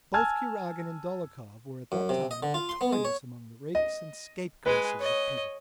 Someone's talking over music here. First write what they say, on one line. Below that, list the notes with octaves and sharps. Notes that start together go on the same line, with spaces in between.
Both Kuragin and Dolokhov were at that time notorious among the rakes and scapegraces of Petersburg.
G#5 A5 E6 F6 G#6
F#2
C3
D#5
D3
F4
C6
B3
G#3
C#5
D#5
G#3 B4 G#5
C#5 D#5